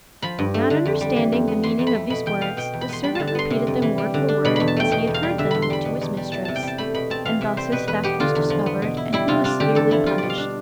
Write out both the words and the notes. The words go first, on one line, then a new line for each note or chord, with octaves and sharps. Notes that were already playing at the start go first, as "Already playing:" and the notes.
Not understanding the meaning of these words, the servant repeated them word for word, as he had heard them, to his mistress; and thus his theft was discovered, and he was severely punished.
F3 B5
G2
A3
D3
F2
G3
E3
F2
B3
E3 C6
F2
B5
A3
B2 B5
E2 G5
B3 F5
B2 G5
E2
B5
B3 C6
G3 B5
D3 A5
A5
B3 C6
C3
F2
E3
G3
D3
D4
B2 B5
E2 B5
A5
A3 G5
B2 G5
E2
F5
G3
D3 E5
E2 B5
C6
G3 B5
B2
E2
G3
E3 A5
C3 A5
G5
G3 A5
A3 B5
B2 B5
C4 A5
E3 F5
C3 E5
G3 C5
B2 B4
E2 B4
B3 G4
D3 F4
E2
F3
B3
B2
E4
G3 E4
C3 F4
D4 F4
D3 G4
E2 A4
F3 E4
G3 F4
B2 D5
F5
D4